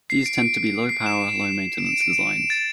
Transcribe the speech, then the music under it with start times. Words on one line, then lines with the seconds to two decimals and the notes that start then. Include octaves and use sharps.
These tend to be low power, low maintenance designs.
0.10 C7
0.26 D7
0.89 C7
1.06 E7
1.78 D7
1.86 E7
2.01 D7
2.18 E7
2.34 D7
2.50 A6